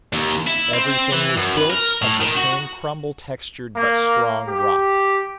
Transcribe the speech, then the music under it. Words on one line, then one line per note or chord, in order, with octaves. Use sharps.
Everything was built of the same crumble-textured but strong rock.
D#2
E4
C4
E3
F#2
B4
A#4
A2
D#3
F#4
A#3
G4